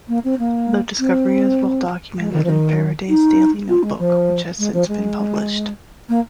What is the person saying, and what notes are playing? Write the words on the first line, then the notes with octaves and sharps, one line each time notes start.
The discovery is well documented in Faraday's daily notebook, which has since been published.
A#3
C4
A#3
C4
G#3
D#3
F3
D#3
D#4
F4
G#3
F3
G#3
F3
G#3
A#3